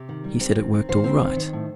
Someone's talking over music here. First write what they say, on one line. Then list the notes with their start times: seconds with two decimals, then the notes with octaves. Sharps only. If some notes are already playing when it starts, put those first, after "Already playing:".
He said it worked all right.
Already playing: C3 G4
0.09 D#3
0.24 G3
0.40 C4
0.56 D#3
0.73 C4
0.89 D#3 C5
1.04 C4
1.21 D#3
1.36 D#3
1.53 A2